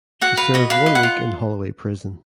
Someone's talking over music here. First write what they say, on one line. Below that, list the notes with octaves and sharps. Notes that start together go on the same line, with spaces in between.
She served one week in Holloway Prison.
F#4 F#5
B4 F5
F#4 D#5
B4 F5
D#5
F#5
F4